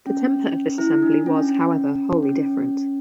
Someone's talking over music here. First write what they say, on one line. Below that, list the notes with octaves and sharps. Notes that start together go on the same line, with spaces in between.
The temper of this assembly was, however, wholly different.
C#4
E4
D4
C#4
C#4